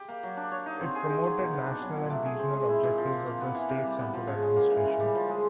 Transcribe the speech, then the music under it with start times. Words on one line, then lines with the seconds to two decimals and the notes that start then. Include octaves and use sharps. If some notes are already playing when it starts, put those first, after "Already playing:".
It promoted national and regional objectives of the State central administration.
Already playing: G4
0.08 A#3
0.23 F#3
0.37 D4
0.51 C#5
0.66 D#4
0.81 C4
0.95 G#4
1.10 D#4
1.24 F#3
1.38 B2
1.53 B3
1.67 D4
1.82 F#3
1.96 A#2
2.10 A3
2.25 G#4
2.39 C4
2.54 G#3
2.69 E4
2.83 A#2
2.98 F3
3.13 A#2
3.26 A#3
3.41 B3
3.55 E3
3.69 C3
3.84 G3
3.99 B3
4.14 F3
4.27 C#3
4.42 G#3
4.56 A#3
4.71 E3
4.85 C#3
5.00 G3
5.15 F3
5.29 G#3